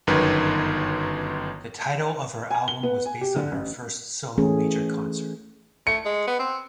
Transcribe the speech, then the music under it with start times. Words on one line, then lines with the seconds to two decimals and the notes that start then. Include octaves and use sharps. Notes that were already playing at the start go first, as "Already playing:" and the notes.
The title of her album was based on her first solo major concert.
0.07 G1 F#2 D#3 B4
2.51 G#5
2.68 G7
2.83 B3
3.06 G#5
3.21 G4
3.36 D3
3.52 A1
4.38 E3 A3 C#4 G#4
5.87 A3 C#7
6.05 G#3
6.27 B3
6.39 C4